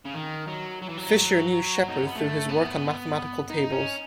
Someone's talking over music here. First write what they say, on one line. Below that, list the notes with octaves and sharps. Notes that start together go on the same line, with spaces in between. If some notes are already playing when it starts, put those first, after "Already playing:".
Fisher knew Sheppard through his work on mathematical tables.
C#3
D#3
F#3
F#3
E3
F#3
D#4
C#4
B3
A3
B3
D#4
C#4